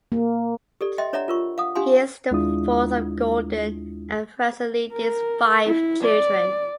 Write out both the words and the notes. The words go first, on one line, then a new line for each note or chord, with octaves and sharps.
He is the fourth of Gordon and Frances Liddy's five children.
A#3
G4 A4 D5
D#5 E5 G5 C6
D4 C#5 D5 E5 F#5 A#5
F4 A#4 C#6
F5 F#5 D#6
D4 G4 F5 F#5 G#5 C6
D#2 G#3 D4 E4 F4 D#6
A#4
E4
D5